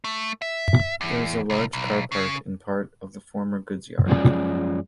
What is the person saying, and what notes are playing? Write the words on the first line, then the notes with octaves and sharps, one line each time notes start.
There is a large car park in part of the former goods yard.
A3
E5
E2
C2
B1
C#3
F#2 F3 G#3 C#4 D5